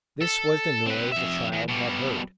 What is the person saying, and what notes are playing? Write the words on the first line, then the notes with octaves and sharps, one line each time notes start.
This was the noise the child had heard.
A4
C4 B4
F2 E5
E2
B2 G3